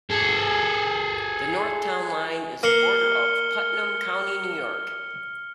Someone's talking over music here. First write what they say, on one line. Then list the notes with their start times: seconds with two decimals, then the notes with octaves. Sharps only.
The north town line is the border of Putnam County, New York.
0.11 G#4 A4
2.63 A#3 F6 C#7 G7